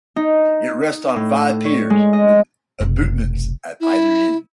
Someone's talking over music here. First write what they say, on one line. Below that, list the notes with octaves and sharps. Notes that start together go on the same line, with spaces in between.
It rests on five piers, with abutments at either end.
D#4
A2
C#5
G#3
D#5
F1 B1
E4